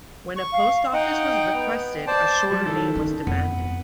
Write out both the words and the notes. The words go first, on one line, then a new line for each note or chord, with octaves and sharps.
When a post office was requested a shorter name was demanded.
C#6
F5
D#4 D#5 F#5 G5
B3
C5 D5 A5
F#3 G3
D#3 E4 A4
C#4
F2 B3